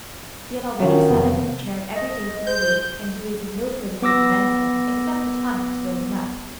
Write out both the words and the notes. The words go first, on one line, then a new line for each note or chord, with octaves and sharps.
He had already sat up in a chair every day for a week--and he was in no further need of medicine, except a tonic to build him up.
D#3 F#3 C#4 F4
F2 C3 B3
D#5
C5 G6
B3 D6 E6 A#6